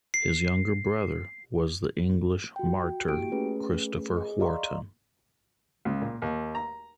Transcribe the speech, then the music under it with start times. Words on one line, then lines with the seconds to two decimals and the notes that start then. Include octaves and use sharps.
His younger brother was the English martyr Christopher Wharton.
0.14 C7
2.56 F#4 G5
3.08 A#3 E4 F#4 G4 G5 D7
3.32 A3 C#4 G#4 B4
4.17 G#4 D#5
4.40 D5 D#5 F5 A#5 C6 C#6
5.85 C#2
6.01 A#2
6.22 D#2
6.55 A#5